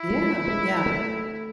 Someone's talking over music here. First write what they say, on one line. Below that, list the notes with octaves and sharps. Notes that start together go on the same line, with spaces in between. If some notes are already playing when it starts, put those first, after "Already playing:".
Yeah. Yeah.
Already playing: E4
G#3
G#3
A3